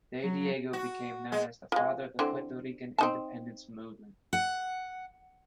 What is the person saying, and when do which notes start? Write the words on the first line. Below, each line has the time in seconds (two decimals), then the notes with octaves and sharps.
De Diego became known as the "Father of the Puerto Rican Independence Movement".
0.23 F#3
0.73 F#4
1.32 G#3
1.72 F3 G#3
2.19 D3 E3 C4
2.98 C4 D#4 A5
4.33 F#5